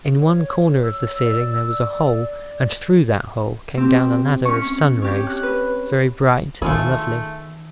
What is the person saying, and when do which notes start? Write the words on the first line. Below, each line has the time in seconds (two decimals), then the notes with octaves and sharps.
In one corner of the ceiling there was a hole, and through that hole came down a ladder of sun-rays--very bright and lovely.
0.20 C#5
0.83 E6
1.24 D5
3.77 C4 G4
4.45 C#4 C#6
5.02 G4 C#5
5.27 F#6
5.43 B4
6.62 D#3 A3 F4 G#4 E6